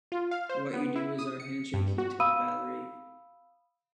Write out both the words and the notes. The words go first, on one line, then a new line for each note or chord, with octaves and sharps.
"What you do is our handshake," he told Valerie.
F4
F5
C5
B3
E4
D#6
C#7
G2
F#4
F5 B5 D#6 E6 D#7